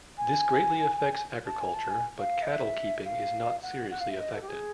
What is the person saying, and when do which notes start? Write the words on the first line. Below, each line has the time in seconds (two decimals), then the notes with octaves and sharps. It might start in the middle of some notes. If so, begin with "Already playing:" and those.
This greatly affects agriculture, but cattle keeping is not seriously affected.
0.17 G#5
1.46 A5
1.60 G#5
1.73 A5
1.90 G#5
2.19 F5
2.42 D#5
2.47 E5
3.05 F5
3.62 F#5
3.90 F#5
4.00 F5
4.10 E5
4.20 D#5
4.34 A4
4.41 G4
4.48 G#4